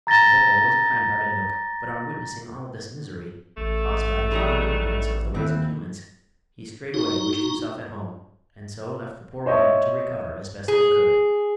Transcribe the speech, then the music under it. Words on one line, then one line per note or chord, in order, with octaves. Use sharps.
Popopo was a kind-hearted knook, but on witnessing all this misery, caused by his own ignorance of the ways of humans, he straightway wished himself at home, and so left the poor women to recover as best they could.
A#5 A6 A#6 G7
A1 A3
E3 F#3 G3 D#4 G#4
D#2 E3 C4
D#4 F#4
C5 C#5 D#5 E5
G#4